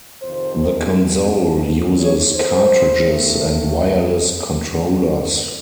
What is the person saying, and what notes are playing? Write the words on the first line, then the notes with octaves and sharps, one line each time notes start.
The console uses cartridges and wireless controllers.
F2 C3 D#3 C5
C#5
C5
F#2 D#3 A3